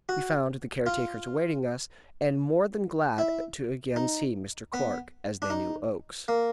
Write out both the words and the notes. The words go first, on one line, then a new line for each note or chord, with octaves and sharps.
We found the care-takers awaiting us, and more than glad to again see Mr. Clark, as they knew Oakes.
F#4
F4
E4
D#4
B3
D4
D#4
A#3